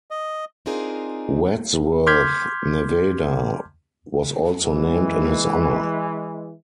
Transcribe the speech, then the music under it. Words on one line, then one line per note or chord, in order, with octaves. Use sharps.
Wadsworth, Nevada, was also named in his honor.
D#5
C4 D4 D#4 F4 G#4 A#4
C6 D6 F6 G6 G#6 B6
E3 G#3